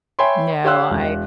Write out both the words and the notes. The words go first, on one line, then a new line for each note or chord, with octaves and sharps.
No, I
C#5 E5 G5 G#5 B5 C6
G4 C#5 F5 C6 E6 F#6
E1